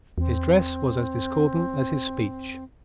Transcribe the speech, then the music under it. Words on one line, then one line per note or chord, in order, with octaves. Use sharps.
His dress was as discordant as his speech.
E2 C4